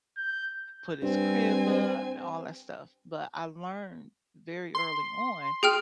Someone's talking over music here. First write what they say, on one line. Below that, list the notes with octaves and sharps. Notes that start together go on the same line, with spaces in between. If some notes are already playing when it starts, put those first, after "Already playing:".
put his crib up, and all that stuff, but I learned very early on,
G6
G2 C4 G#5
C6
G#4 G5 F6